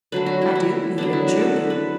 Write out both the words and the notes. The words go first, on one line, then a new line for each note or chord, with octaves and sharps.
"I do believe it, truly."
D3 F#3 A3 B4
F#4
E4
E4
D3 F#3 B3 D4
E4
F#4
A4
B4
B4